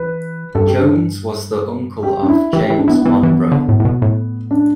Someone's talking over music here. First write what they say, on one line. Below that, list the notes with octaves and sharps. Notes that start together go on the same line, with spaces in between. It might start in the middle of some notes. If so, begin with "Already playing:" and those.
Jones was the uncle of James Monroe.
Already playing: E3 B4
G2 A4
G4
D4
G4
D4
E4
E3 G4
G4
E3
D4
E3 B3
E3 B3
E3
D3
A2
A2
B2
A2
D4